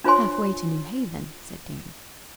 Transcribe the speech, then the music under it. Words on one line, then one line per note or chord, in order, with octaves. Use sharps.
'Half-way to Newhaven,'said Dan.
D4 F4 C5 C#5 G#5 C6